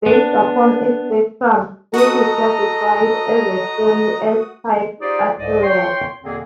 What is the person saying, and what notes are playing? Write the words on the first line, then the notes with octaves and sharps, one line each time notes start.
Based upon its spectrum, this is classified as a stony S-type asteroid.
B3 D4
F#4 A4 D#5 A#5 D#6
D#4 F4 G4 G#4 C5 D5
C2 G#2 C5 D5 D#5
C#5 G5 C6
E2 B2 D3 A#3 C4 G#4